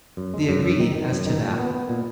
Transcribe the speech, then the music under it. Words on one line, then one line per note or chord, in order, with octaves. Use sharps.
They agreed as to that.
F#2
G#3
F#2
F#2
D#3
D#3
F#2
D#3
A#2
B3
B3
A#2